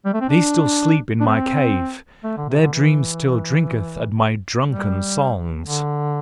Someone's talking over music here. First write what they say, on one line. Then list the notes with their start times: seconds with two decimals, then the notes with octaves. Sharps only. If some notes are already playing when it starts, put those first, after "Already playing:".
They still sleep in my cave; their dream still drinketh at my drunken songs.
0.05 G3
0.14 A3
0.21 C4
0.30 D4
1.20 D4
1.27 C4
2.24 A3
2.37 D3
2.49 C3
2.61 D3
2.73 E3
4.68 G3
5.65 D3